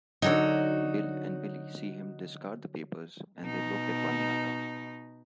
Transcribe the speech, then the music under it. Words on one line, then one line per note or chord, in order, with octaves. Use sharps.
Bill and Billie see him discard the papers, and they look at one another.
D3 F#3 D#4 F#4 C#5
B2 D#4